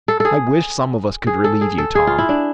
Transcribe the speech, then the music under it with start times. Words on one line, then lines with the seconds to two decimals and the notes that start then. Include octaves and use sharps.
"I wish some of us could relieve you, Tom."
0.08 A4
0.20 G#4 A4
1.27 G#4
1.44 A4
1.61 G#4
1.78 A4
1.95 G#4
2.07 F4
2.18 E4
2.29 D4